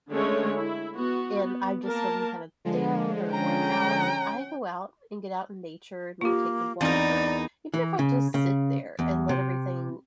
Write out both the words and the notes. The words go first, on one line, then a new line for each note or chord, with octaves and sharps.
and I'm just feeling kind of down or worn out, if I go out, and get out in nature and maybe take a walk, or even if I just sit there, and let everything
D3 G#3 A3 C#4 C#5
E4
B3 F#4
B3
A#3 A#4 A5
D3 F3 G#3
C#4 G5 A#5
A#3 F4 G4
E2 C4 D#4 A#4 D5
E3
C#3
C#3
E2
C3